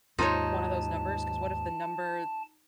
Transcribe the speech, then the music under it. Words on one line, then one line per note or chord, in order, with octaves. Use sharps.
one of those numbers, 'cause what if the number
D#2 G#2 D#4 F4 C5 C#5 A5